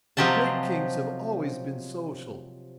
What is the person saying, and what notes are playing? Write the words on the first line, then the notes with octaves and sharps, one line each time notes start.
Great Kings have always been social.
C3 F3 F#3 G4 D#5 A5